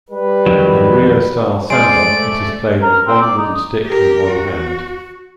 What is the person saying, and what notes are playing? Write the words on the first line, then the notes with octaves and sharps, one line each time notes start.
In Rio-style samba it is played with one wooden stick and one hand.
G3 B4
F2 D#3 F#3
G#3 A3 C5 D5 D7
A#4
C4
D5
D#4
G4 A#4
F#4